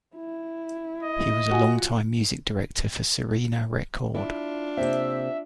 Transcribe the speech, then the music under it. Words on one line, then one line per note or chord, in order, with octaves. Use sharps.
He was a long-time music director for Syrena Rekord.
E4
D#5
F4 F#4 F#5 G#5
D4 E4 F4
C3 A#3 C4 E5